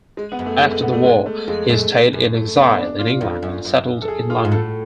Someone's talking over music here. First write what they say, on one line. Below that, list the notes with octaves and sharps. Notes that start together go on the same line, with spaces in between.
After the war he stayed in exile in England and settled in London.
G#3
B3
F#2
A3
G#3
A3
B3
A3
G#3
A3
F2 G#3
F#2 A3
A3
F#2
A3
B3
D4
F4
F2
F#2
F#2
A4
G#4
F4
G#2
A2 A4